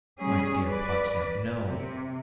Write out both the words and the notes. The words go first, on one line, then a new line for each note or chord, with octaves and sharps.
'My dear Podsnap, no.
G3 C#4 G#4
B4 D5
C3